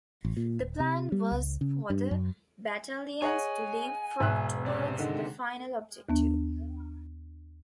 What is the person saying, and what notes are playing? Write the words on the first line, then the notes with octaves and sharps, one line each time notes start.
The plan was for the battalions to leap-frog towards the final objective.
A1
A#2
D#1
C3
G3
C#2
C#3
G2
F#2
G#4 C#5 D#5 F#5 G#5
E1 G#2 E5 F#6
C3 G4 D5
D3 D#3 G#3
D#2 B3 D4